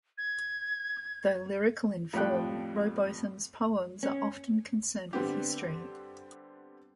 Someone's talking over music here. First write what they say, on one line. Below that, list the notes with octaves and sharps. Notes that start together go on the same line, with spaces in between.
Though lyrical in form, Rowbotham's poems are often concerned with history.
G#6
F2 A2 G3 G5 F#6
C#4
D3 G3 B3 C4 G4